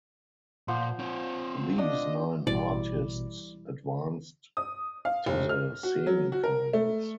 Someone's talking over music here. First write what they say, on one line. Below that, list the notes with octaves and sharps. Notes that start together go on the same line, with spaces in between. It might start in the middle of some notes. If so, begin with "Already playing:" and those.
These nine artists advanced to the Semifinals.
A#2 F3 C5 F#5
C4 C#5
D4 D#5
A1 B2 E3 G3 E4 D5
D#6
F5
F1
F6
F#4
F#3
F#4
A#4
A3